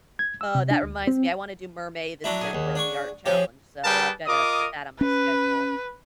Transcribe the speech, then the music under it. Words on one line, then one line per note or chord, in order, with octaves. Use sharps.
Uh, that reminds me. I wanna do Mermay this year for the art challenge, so I've gotta put that on my schedule.
G#6
E6
C3
D4
D2
C4
F#3 D4 E4
G#4 E5 F#5
D#2
D4 C#6
F3 C#4 G4 G#4
G3 G#4 A#4 B4 G5 A5
F4 A#4 D#5 D6 D#6
C#4 B4